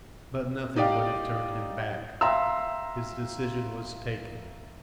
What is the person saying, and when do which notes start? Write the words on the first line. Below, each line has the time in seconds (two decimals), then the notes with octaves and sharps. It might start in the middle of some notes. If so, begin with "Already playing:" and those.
But nothing would have turned him back: his decision was taken.
0.76 D#4 G4 D5 F5
2.21 E5 F5 G5 A#5 C6 E6